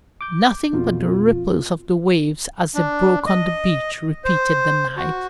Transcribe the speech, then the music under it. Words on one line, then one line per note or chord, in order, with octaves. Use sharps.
"Nothing but the ripples of the waves as they broke on the beach," repeated the knight.
D6 G6
F2 B2 F4
D4
D#5
C5
F#4